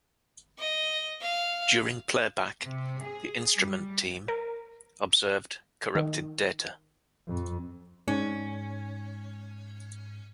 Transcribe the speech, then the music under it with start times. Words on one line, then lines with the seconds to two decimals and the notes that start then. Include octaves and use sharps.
During playback the instrument team observed corrupted data.
0.59 D#5
1.21 F5
2.65 C3
3.04 G#4
3.58 G3
4.28 A#4
5.95 D#3
7.28 F2
8.08 G#2 C#4